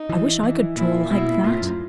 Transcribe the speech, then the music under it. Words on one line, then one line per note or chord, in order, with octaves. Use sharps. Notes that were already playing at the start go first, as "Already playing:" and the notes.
I wish I could draw like that.
Already playing: D#4
E3
E3
A#2 E4
B2 E4
A#2
A#2 F4
A2
F#2